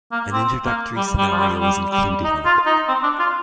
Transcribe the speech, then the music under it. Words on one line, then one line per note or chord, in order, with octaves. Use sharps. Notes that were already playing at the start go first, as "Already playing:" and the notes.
An introductory scenario was included in the book.
A#3
C4
A#3
G3
G3
F3
G3
G3
G3
D#4
F4
D#4
C4
D4
F4